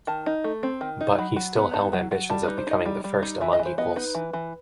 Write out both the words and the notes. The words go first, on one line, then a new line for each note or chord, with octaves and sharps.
But he still held ambitions of becoming the "first among equals".
D#3 A5
D#4
A3
C4
D#3
D#4
F#3 B5
F#3
B3
D#4 A5
F#3
F#3
G3 A5
D#4 B4
C5
D#4 D#5
G3
G3
D#4
E3 E5
D#5
E3
C5
B3 D#5
D#4 B4
E3
E3